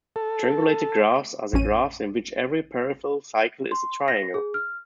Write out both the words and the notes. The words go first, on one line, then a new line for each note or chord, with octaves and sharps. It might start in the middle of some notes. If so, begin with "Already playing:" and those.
Strangulated graphs are the graphs in which every peripheral cycle is a triangle.
A4
A1 F2 C#4 D#7
C6
A#6
G#4
F6